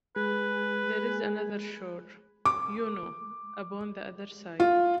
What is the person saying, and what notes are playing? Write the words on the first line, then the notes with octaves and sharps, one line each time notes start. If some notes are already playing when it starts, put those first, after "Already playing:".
There is another shore, you know, upon the other side.
G#3 G#4 B4
D6
F4